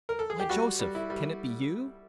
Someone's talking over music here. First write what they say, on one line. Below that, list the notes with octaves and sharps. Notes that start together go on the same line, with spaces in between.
"Why, Joseph! can it be you?"
A#4
A4
G#4
G4
G3 F#4
G3
E4
G3